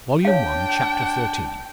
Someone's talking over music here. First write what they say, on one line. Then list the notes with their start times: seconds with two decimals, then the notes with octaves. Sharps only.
Volume One, Chapter XIII.
0.25 D4 C#5 F5 G5